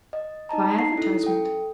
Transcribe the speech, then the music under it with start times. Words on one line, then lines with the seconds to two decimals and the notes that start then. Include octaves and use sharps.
"By advertisement."
0.13 D#5
0.49 D#4 D#5 A5 A#5
0.78 D#4 C7
0.97 C#4 E4 A4
1.24 A4 G5